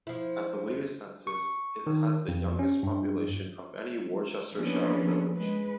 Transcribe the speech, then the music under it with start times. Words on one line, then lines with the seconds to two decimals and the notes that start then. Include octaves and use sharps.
At the latest census, it had the youngest population of any Worcestershire village.
0.07 F3 E4
1.27 C#6
1.87 D#3
2.28 F2
2.59 C#4
2.83 G2
4.54 E3 F3 A#3 B3 C#4 D4
5.35 G#3 B4